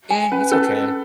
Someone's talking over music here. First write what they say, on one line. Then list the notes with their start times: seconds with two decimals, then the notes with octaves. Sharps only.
Yeah, it's okay.
0.11 G#5
0.32 C#4 B4
0.52 C#4 A4